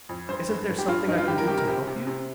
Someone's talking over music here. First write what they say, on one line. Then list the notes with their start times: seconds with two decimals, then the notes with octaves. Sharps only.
"Isn't there something I can do to help you?"
0.09 F2
0.29 G2 C5
0.49 G2
0.68 G2
0.78 G4
0.88 G2 F4
1.08 G2 D#4
1.18 F4
1.28 G2 G4
1.38 A#4
1.47 C3 G4
1.58 A#4
1.67 C3 G4
1.87 C3
2.07 C3